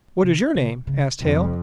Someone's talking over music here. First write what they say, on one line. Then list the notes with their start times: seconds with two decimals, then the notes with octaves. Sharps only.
"What is your name?" asked Hale.
0.22 C3
0.55 C#3
0.87 C#3
1.20 F2 C3